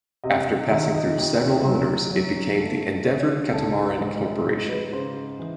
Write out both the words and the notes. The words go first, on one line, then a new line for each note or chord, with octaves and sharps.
After passing through several owners it became the Endeavour Catamaran Corporation.
C3 D#5
D#5
D#3 E5
D#5
D#2
F#3
F#3
A3
C#3 C#5
C#2 A4
G#2 G#4
G#2
B4
C#3 C5
E3